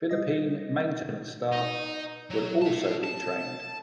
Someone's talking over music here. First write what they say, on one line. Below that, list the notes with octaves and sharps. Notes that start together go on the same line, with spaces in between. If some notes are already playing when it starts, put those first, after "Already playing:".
Philippine maintenance staff will also be trained.
G3 D#5 A#6
D#4
F#3
E4 A5
A5